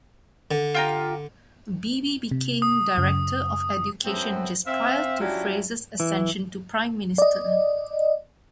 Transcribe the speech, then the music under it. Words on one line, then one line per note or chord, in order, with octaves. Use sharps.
Beeby became Director of Education just prior to Fraser's ascension to Prime Minister.
D3
F4 G4 A#5
C3
D#6
F#2 C#3
F#2 F#3 A3 B3 C4
C4 E5 F5
F#3 C#4 D4 E4 F4 G4
E3
D5 D#5